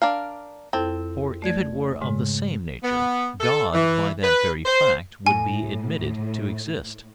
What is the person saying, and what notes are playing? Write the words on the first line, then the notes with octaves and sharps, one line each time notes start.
For if it were of the same nature, God, by that very fact, would be admitted to exist.
D4 A#4 F5
F2 C4 E4 A4
A3 D5 G#6
G#2 C#3 G#3
B3
A4
E3
B4
C5
A2 G#5